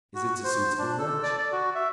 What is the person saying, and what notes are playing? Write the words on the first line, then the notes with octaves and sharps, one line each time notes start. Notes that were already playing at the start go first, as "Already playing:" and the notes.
"Is it a suitable match?"
F#4
C5
D4
A4
D5
D5
F#4
E5